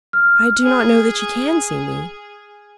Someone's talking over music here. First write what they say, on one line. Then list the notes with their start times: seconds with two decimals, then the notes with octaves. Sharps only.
"I do not know that you can see me."
0.13 F6
0.63 G#4